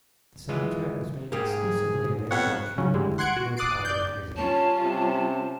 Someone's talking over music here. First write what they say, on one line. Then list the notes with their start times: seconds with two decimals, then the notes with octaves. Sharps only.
The soundtrack was made exclusively available through "Nintendo Power" magazine.
0.49 E3 G#3 F4
1.32 G#2 A#3 G4 G#4
2.30 F2 B3 C#5 F#5
2.78 C#3 F#3 C#4
2.94 D3 E3 G3 G#3
3.18 F#5 C6 F#6 G#6 C#7 D7
3.37 F#4
3.57 D6 D#6 F#6 A6 C7 D7
3.85 D5 G6
4.37 G3 C#4 F4 C#5 A5
4.81 C3